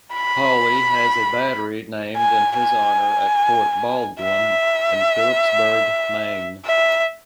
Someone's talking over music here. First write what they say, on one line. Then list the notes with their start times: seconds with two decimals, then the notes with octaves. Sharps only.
Hawley has a battery named in his honor at Fort Baldwin, in Phippsburg, Maine.
0.13 B5
2.17 G#5
2.57 G#5
4.21 E5
6.65 E5